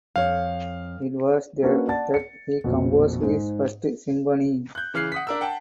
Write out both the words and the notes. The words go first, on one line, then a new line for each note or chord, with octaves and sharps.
It was there that he composed his first symphony.
F2 C#5 F5
A#3 C#4 D4 F#4 A#4 B4
D5 F#5 A5 A6
C#7
A#1 F2 B2
G#2
F#6 G6
C#3 E3 F6 F#6 C7
F#5 D#6 B6
D4 A#4 E6
F#5 G5 A5